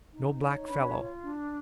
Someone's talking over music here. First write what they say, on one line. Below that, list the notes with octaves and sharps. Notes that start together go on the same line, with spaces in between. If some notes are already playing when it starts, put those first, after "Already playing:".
No black fellow.
D#4
C#5
D4 B4 B5
F4
D4